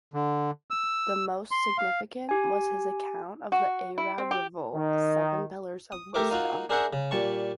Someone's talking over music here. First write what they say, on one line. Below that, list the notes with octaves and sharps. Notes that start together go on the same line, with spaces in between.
The most significant was his account of the Arab Revolt, "Seven Pillars of Wisdom".
D3
E6
C6
F5
G4 G#5
F#4
E4
C4
G4
D#3
D#6
A3 G4 A#4 E5 D6
A#3 D#4 F4 F#4
D4 G#4 A#4 C5 E5 F#5
C#3
A#2 G3 A5 C#6